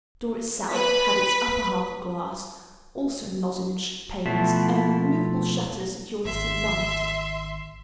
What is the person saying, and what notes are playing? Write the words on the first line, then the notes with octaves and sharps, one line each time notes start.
The door itself had its upper half of glass, also in lozenge panes--a movable shutter secured it at night.
B4 B6
B2 F3 A3 E4
G#1 E5 C6